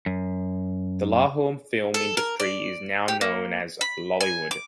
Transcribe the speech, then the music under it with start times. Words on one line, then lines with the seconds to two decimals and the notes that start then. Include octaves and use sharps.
The Lahore film industry is now known as Lollywood.
0.06 F#2
1.94 A4
2.17 A#4
2.40 D5
3.08 G4
3.21 A#3
3.81 B5
4.21 G#5
4.51 D6